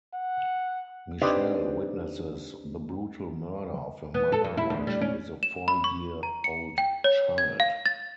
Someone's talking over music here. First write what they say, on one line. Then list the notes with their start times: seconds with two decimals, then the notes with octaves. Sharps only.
Michelle witnesses the brutal murder of her mother while she is a four-year-old child.
0.14 F#5
1.22 C4 D4 D#4 G4 B4 C5
4.14 B3
4.32 A4
4.44 F2
4.57 E4
4.70 D2
4.87 G3
5.01 C#4
5.43 E7
5.68 B5
5.84 C#6
6.23 A#5
6.44 C#7
6.78 G5
7.04 C#5
7.38 G#6
7.60 F5
7.86 A6